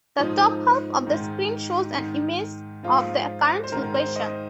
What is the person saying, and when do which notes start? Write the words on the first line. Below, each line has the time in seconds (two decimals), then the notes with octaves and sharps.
The top half of the screen shows an image of the current location.
0.18 G#2 F3 D#4
1.07 G#2 D#3
1.96 G#2 D#3
2.83 G#2 F3 F4
3.64 C5
3.72 G#2 D#3 A#4
3.94 C5
4.16 D#5